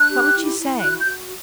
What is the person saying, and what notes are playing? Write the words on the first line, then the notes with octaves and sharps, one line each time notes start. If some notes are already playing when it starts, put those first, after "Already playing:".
What would she say?
Already playing: D4 F#6
G4
E4
E4
F#4 F#6
G6
F#4